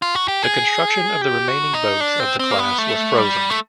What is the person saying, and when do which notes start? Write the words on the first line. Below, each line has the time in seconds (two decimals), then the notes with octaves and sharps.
The construction of the remaining boats of the class was frozen.
0.02 F4
0.15 F#4
0.28 G4
0.43 G#4
1.21 G4
1.48 F#4
1.74 D#4
2.00 D4
2.20 C4
2.39 C4
2.51 A#3
2.59 B3
2.78 A3
3.18 G3
3.50 A3